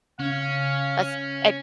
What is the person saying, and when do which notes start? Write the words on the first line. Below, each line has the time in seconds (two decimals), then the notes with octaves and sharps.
that's eh
0.19 C#3 C#4 F5